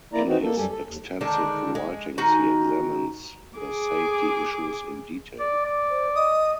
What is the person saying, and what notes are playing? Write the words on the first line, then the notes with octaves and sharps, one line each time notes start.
In his extensive writings he examines the safety issues in detail.
A#3 E4 D5 A#5
E3 C4 D#4 F#4
A#3 A4
F#2 G3 G4 A4 G#5
A4
D#2
D3 D#3 G#3 D4
G#3
D#3 D#4 F#4 G#5
G#4 D6
D5
D5
C5
D#5 D#6